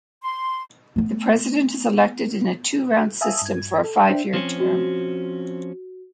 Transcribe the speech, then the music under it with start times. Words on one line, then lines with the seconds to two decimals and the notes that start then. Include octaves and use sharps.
The President is elected in a two-round system for a five-year term.
0.22 C6
0.96 A3 B3
3.21 E5 F5 G#5 A5 D#6 E6
3.42 G2 G#6
3.84 A4
4.08 D4 C5 E5 G5
4.34 F3 C4 C#4
4.60 F#4